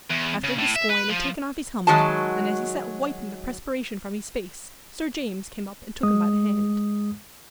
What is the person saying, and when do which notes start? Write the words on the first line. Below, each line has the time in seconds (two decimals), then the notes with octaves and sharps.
After Gascoyne had taken off his helmet, and as he sat wiping the perspiration from his face Sir James came up and took him by the hand.
0.10 E2
0.44 C#3
0.59 A2
0.75 E5
0.89 B4
1.09 F3
1.87 D#3 F#3 G#3 F#4 A5
6.03 G#3 D#6